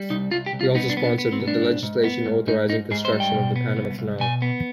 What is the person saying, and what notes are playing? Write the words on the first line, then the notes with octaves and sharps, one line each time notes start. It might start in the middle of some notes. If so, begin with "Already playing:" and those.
He also sponsored the legislation authorizing construction of the Panama Canal.
Already playing: G3
C2 D#4
C2 F4
G4
C2
F4
B3 D#4
D4
B3
D4
B3
C4
C2
D4
G#2
G#2
B3
G#2
G#2 D#4
G#2 D#4
G#2 G#4
C5
G3
G5
B2
B3
C2
C2
B2 G#5
B3